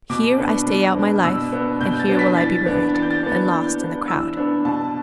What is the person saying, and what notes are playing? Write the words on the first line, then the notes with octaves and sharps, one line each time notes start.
Here I stay out my life; and here will I be buried, and lost in the crowd.'
B2 D6
B3 D4
B2
B3 D4
B2 E6
B3 D4
B2 G6
A6
B3 D4
B6
E3 A6
B3 D4
E3 A6
G6
A6
B3 D4
E3 G6
B3 D4
E3 E6
B3 D4
B2 A5